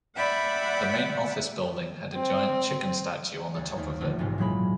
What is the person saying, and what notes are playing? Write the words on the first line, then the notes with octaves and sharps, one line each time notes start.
The main office building had a giant chicken statue on the top of it.
D5 E5 F#5 G5 B5
C4
D2 A4
D#2
A#1 D3 A3
E1 B1 G#2 C3
A#2 F#3 G#3 B5